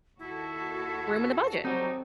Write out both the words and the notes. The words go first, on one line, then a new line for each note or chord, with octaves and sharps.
room in the budget.
D#2 E4 F#4 A4
F#3 G3 C4 D#4